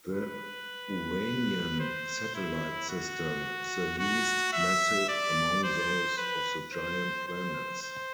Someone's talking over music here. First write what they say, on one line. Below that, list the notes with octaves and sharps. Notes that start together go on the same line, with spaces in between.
The Uranian satellite system is the least massive among those of the giant planets.
B4
C5
E4
F#4
F#4
E5
D5
C5
B4
C5
C5
C5